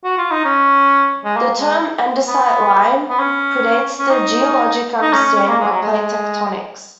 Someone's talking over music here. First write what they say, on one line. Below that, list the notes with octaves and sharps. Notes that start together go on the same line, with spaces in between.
The term "andesite line" predates the geologic understanding of plate tectonics.
F#4
F4
D#4
C#4
G#3
A#3
G#3
B3
B3
C#4
C#4
D#4
D#4
C#4
C#4
C#4
A#3
G#3
F#3
G#3